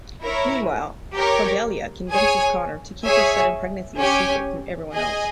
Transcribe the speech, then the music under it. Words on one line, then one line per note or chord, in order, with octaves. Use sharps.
Meanwhile, Cordelia convinces Connor to keep her sudden pregnancy a secret from everyone else.
E4 A#4 C#5
G4 A#4 C#5
G#4 C#5 G#5
G#4 C#5 E5 G#5
C#4 G4 C#5 G#5
G#4 D#5 G#5